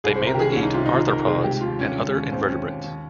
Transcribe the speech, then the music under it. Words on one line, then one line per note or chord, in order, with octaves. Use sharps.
They mainly eat arthropods and other invertebrates.
C2 G#4
C5
C3
A#4
G4
D#3 G#4
C#4
C2
D#4
C3 F4
D#4
D#3
F4
D#3 A#4
C3 G#4
G#3 G4
D#2 F4
D#2 C#4
C#4
G#3
D#2 C#4
D#2 C4
D#2 C#4
D#2
D#2